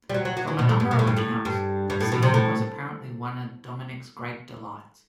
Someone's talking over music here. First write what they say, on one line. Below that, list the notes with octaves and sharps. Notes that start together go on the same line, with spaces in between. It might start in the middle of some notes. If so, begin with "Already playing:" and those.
From a number of accounts, singing was apparently one of Dominic's great delights.
G3
F#3
F#3
F#3
E3
B2
A2
G2
B2
A2
G2
A2
G2
G2
A2
B2
C3
A2